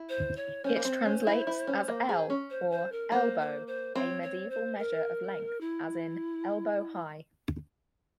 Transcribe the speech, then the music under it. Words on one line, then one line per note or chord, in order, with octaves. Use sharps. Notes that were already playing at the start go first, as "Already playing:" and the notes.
It translates as "ell" or "elbow", a medieval measure of length, as in "elbow-high".
Already playing: E4
C5
C#5
C#4 C5
A#3
C4
C#4
E4
E4
C#4
A#3
G#4
C#4
C5
C5
A#4
A#3 C5
C5
C5
C4 C#5
C#5
C5
A#4
E4